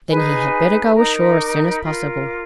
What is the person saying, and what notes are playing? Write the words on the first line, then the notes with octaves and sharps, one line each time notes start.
Then he had better go ashore as soon as possible.
D#4 G#4 B4 G#5
D#4 A#4 A#5
B5
D6
B5
F4 A#4
D6